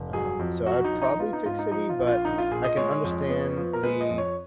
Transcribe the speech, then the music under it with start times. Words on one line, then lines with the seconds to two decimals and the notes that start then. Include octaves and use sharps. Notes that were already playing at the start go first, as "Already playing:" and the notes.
um, so I'd probably pick city, but I can understand the
Already playing: F1
0.13 F#3 G#4
0.39 F2
0.66 F#3 F#4
0.84 D#4
0.93 A#1
1.02 D#4
1.19 B3 F4
1.33 D#4
1.45 G#2 F4
1.59 D#4
1.72 F3 D#4
1.89 F4
1.99 A#1
2.07 F4
2.25 A#1 D#4
2.38 F4
2.51 A#2 G#4
2.64 D#5
2.77 G#3 C#5
3.04 F2
3.30 B3
3.57 F3
3.73 A#4
3.83 G#3 B4
4.01 D#5
4.10 F2
4.18 C#5